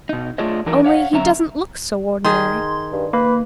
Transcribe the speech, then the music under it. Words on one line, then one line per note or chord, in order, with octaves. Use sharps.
Only he doesn't look so ordinary.
B2 D#4
A3 D4 F4 G#4 C#5 D#5
E3 F#3 D4 D#4 A#4
C#5 F5 F#5
F#2 D3 F#3 C#4 E5 A#5
D#3 G#4 C6
G2
A#3 B4